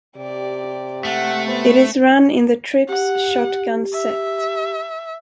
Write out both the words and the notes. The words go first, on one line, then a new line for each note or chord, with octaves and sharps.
It is run in the trips shotgun set.
C3 G4 D5
A3 F#5
B3 C5
G4 F#5
E5